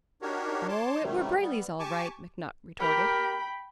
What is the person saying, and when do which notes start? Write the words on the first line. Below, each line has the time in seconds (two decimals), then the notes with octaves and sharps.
"Oh, it were Brayley's, all right," McNutt retorted.
0.22 D4 D#4 F#4 G4 A#4 C#5
0.69 C#5 A5 C6 D6
1.03 G#2 C3 D#3 F#3 G3 A3
1.41 G3 B3
1.79 G4 G#5 A5 C#6 D6
2.80 G4 A#4 G5 B5